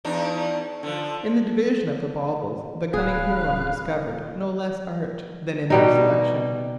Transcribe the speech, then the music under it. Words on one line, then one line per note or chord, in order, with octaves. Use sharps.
In the division of the baubles the cunning Huron discovered no less art than in their selection.
E2 D4 D#4
D3 F3
D1 G#4 F5 B5 F#6
B2 G3 D#4